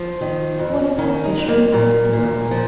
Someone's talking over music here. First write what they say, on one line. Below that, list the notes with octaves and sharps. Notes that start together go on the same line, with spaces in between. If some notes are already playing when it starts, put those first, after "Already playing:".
"What is that, Fisher!" asked the girl.
Already playing: F3
D#3
F2
D#3 C#4
D#4
F2
A#3
A#2
A#2
F3